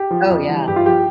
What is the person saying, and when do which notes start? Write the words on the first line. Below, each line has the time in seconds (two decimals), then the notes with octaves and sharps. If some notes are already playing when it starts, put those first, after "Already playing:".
Oh, yeah.
Already playing: G4
0.11 F3
0.30 F2
0.49 E3 G3
0.68 G2 G4
0.76 F4
0.86 F3 G4